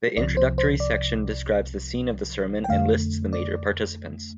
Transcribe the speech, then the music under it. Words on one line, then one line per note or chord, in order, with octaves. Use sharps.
The introductory section describes the scene of the sermon and lists the major participants.
C2 C3 F3 D5
C5
C5
D5
G5
F2 D3 A3 F5
D5